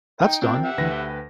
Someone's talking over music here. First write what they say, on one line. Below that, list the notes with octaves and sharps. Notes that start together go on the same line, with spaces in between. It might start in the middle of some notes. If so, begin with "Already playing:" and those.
That’s done.
D#4 G5
C4 D4 F4 A#4
G4 E5 F#5
D2 D3 E3 B4 A#6
G5